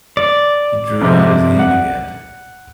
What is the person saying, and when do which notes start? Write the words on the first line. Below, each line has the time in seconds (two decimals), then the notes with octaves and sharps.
He drew out his hand again.
0.17 D5
1.01 F2 C3
1.59 F#5